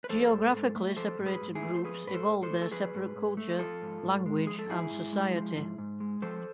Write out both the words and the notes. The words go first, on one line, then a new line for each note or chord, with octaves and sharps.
Geographically separated groups evolved their separate culture, language and society.
B4
F3 A4 C5
G#2
G#2
A3
F3 A4 C5
G#2
G#4 B4
G#2
E4 G#4
A3
C5
F3 G#4 B4
G#2 B4
A4 C5
G#2
A4 C5
A3
A4
F3 G#4 B4
G#2
G#2
A3
F3 F4 A4
G#2
G#2
G#3
F3 G#4
A4
G#2 E4 G#4
G#2
G#3
F3
G#2
G#2
G#3
F3 A4 C5